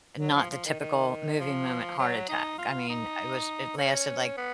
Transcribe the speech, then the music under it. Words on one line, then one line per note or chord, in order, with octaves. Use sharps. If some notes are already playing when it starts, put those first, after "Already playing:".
not the typical movie moment heart attack, I mean, it was it lasted, like,
F#3
F3
F3
D#3
D#3
F3
F#3
D#4
F4
D#4
C#4
B3